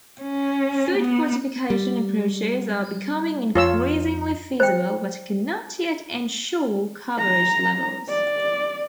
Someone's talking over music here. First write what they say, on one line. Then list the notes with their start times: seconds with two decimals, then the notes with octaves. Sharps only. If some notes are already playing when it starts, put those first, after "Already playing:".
Food fortification approaches are becoming increasingly feasible but cannot yet ensure coverage levels.
0.22 C#4
0.98 B3
1.70 G3
3.55 F2 F4 C#5 E6
4.60 C5 G5
7.18 A#5
8.09 D5